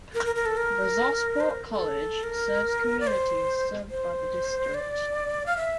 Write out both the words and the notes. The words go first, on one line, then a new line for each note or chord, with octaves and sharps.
Brazosport College serves communities served by the district.
A#4
A#4
A#4
A4
A#4
C5
A#4
A4
A#4
D5
C5
C5
D5
F5
E5